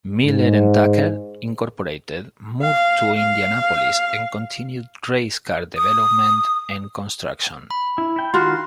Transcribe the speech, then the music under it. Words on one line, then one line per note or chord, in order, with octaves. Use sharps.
Miller and Tucker, Incorporated moved to Indianapolis and continued race car development and construction.
G#2
F5
F5
D#6
B5
E4
E4 G5
D#3 F4 F#4 F5 C6